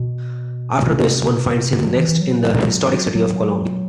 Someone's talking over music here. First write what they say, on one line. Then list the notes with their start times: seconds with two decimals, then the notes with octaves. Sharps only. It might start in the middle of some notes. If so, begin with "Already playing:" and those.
After this, one finds him next in the historic city of Cologne.
Already playing: B2
0.78 C3
1.73 D3
1.85 F#3
1.97 E3
2.09 E3
2.21 F#3
3.15 F#3